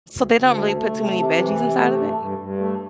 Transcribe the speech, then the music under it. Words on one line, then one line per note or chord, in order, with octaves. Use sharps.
So, they don't really put too many veggies inside of it?
D2
D2
A3
A3
C3
C3
E3
C3
A3
G2
G2
G2
A3